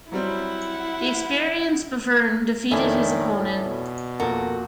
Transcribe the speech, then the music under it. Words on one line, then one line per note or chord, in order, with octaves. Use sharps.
The experienced Bevern defeated his opponent.
F#3 G3 C4 E4 F#5
F2 A2 D#3 D4 E4 A4 G#5
B2
F2 A#2 F#4 A4 A#4